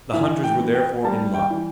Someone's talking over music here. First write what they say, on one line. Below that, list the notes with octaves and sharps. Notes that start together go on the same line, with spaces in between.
The hunters were therefore in luck.
E3 E5
G5
B3
G5
G3 A5
G5
E3